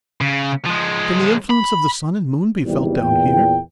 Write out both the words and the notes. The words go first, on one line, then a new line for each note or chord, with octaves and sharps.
"Can the influence of the sun and moon be felt down here?"
C#3
F3 G#3
B5
G#1 E2 C3 G3
E2 A#2 G5